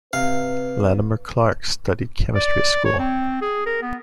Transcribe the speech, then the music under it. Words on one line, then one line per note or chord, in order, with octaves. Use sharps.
Latimer Clark studied chemistry at school.
C3 B4 F5
D5
C#5
C4
G#4
A#4
B3